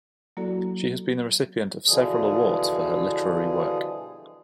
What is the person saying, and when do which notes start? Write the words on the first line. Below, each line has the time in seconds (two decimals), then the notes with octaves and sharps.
She has been the recipient of several awards for her literary work.
0.37 F#3 A#3 E4 F#4 A4 D5
1.87 B2 D3 E3 F3 G3 G#4